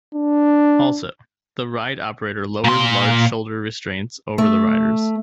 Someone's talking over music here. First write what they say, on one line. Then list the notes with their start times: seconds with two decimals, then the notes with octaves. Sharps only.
Also, the ride operator lowers large shoulder restraints over the riders.
0.15 D4
2.64 A#2 C6
4.38 A3